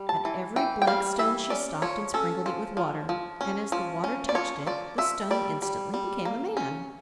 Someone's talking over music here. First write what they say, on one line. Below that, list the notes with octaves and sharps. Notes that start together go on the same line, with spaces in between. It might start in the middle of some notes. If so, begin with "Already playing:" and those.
At every black stone she stopped and sprinkled it with water, and as the water touched it the stone instantly became a man.
Already playing: G3
A5
E3
E3 G5
G5
G3 F5
E3 E5
C#4 D5
F3 C#5
C#4 A4
F3
F3
F3
C#4
F3
C#4
D5
F3 C#5
F3 D5
F3 E5
G3 D5
G3
G3
A#3
C#4